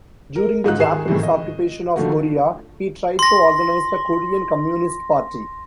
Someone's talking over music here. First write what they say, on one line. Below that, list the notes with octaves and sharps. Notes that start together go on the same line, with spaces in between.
During the Japanese occupation of Korea, he tried to organize the Korean Communist Party.
A#4
G#2 D#4 F4 F#6
D#3 G#4 C7 E7
A2 C3 D#3 E3
D#5
D3 D#3 F3 A3 A#3 F#4
C6 A#6